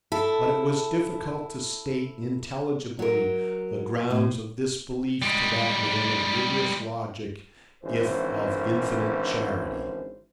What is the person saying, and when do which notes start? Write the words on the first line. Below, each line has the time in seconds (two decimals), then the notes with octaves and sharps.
But it was difficult to state intelligibly the grounds of this belief to that man of rigorous logic, if of infinite charity.
0.12 E4 A4
2.99 F#3 A#4
4.10 A2
5.22 G3 G#3
7.83 G#1 D3 E3 C#4 C5